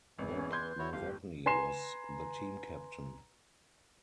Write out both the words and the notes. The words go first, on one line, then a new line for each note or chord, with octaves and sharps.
Bob Novotny was the team captain.
G#1 E2 E3
C#4
B4 C6 G6 G#6
E4 F#4 C#5
G1 G4 F5
B4 G#5 A#5 C6 C7 E7